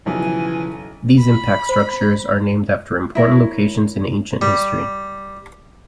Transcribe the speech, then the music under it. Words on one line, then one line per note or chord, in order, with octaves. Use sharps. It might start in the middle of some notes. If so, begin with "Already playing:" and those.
These impact structures are named after important locations in ancient history.
B1 C#3 E3 F3 G#5
B5
C5
E4 A#4 C#5
G3